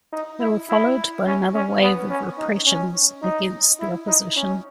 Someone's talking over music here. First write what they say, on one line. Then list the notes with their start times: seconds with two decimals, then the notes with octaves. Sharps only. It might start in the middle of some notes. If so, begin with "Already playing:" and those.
They were followed by another wave of repressions against the opposition.
0.13 D#4
0.40 E4
0.69 E4
1.26 C#4
1.54 C#4
1.81 B3
2.10 C#4
2.38 D#4
2.66 C#4
3.22 D#4
3.80 E4
4.07 D#4
4.36 C#4